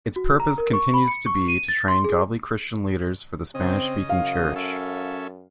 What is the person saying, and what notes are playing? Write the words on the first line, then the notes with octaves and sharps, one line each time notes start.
Its purpose continues to be to train godly Christian leaders for the Spanish-speaking church.
F#4
A#5
A#4
C#6
B5
C#7
C#6
D#7
A6
C6
G#4
C#3 C4 D#5
F#2 F5
C#4 A4 E5